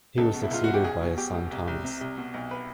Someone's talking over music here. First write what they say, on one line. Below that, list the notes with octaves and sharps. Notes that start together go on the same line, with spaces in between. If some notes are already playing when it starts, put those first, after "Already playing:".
He was succeeded by his son Thomas.
C#2 A4
B2
E4
C#2 F4
B2 F#4
G4
B1 G#4
B2
B2 G4
B2
C2
C2
C3
C2
B2
B1
B4